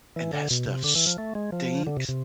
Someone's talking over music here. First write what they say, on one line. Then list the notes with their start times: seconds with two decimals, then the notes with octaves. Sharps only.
and that stuff stinks.
0.16 E3
0.33 D3
0.50 B2
0.67 C3
0.84 D3
0.96 E3
1.07 F3
1.18 A3
1.35 G#3
1.52 F3
1.87 D3
1.97 C3
2.08 C3